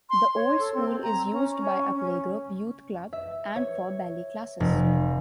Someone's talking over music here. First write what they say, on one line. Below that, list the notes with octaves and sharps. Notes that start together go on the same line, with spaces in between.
The old school is used by a playgroup youth club and for ballet classes.
C6
C#5
A4
C4
A#5
C#4
C#4
C#4
E5
C#5
F1